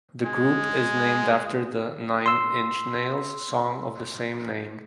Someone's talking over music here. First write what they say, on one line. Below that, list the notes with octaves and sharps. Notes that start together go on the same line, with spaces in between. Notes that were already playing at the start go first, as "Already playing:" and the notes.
The group is named after the Nine Inch Nails song of the same name.
G#3 G#5
C6 E6